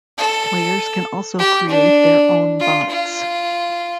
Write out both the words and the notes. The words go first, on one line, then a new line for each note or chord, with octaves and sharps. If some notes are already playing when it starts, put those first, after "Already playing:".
Players can also create their own bots.
A4
G4
D4
F4
F4